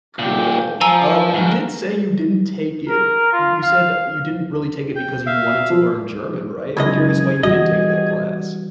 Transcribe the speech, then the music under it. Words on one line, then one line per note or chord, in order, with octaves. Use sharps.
Cool, um, you did say you didn't take it you you said you didn't really take it because you wanted to learn German, right? I'm curious why you did take that class.
A#2 G4
F3 G#5 A#5 E6
G#2 A#4
A#4
F4
F5
G5
E5 F5
F3
C#2 F#2 G#4 D#5
E3 G3 F#4 D#5